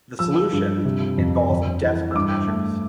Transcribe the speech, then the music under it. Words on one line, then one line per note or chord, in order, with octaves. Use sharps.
The solution involves desperate measures.
F3 E6
G2
C3
F2
F2
E3
E6
G2 D6
A3